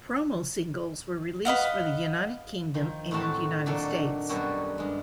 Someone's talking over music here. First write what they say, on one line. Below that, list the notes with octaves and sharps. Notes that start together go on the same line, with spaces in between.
Promo singles were released for the United Kingdom and United States.
B4 D#5 F5 F#5
D#3 F3
A2 D#3 C4 F#4 A5
A#2 D#3 F#3 D4 A4 A#4
F#2 B2 G3 F#4 A4 A#4
G2 G#3